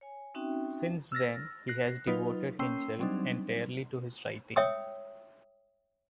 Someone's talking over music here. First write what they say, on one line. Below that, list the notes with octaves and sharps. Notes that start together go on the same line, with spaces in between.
Since then, he has devoted himself entirely to his writing.
C#5 G#5
C4 C#4 D#4 F#4 E5 G5
E6 F6 A6 A#6
F#6 A#6 C7
F#3 D#4 F4 B4
A#3 C#4 G5 C6 E6 C7
F#3 G3 C4 D4 D#4
C#5 E5 G5 D#6 E6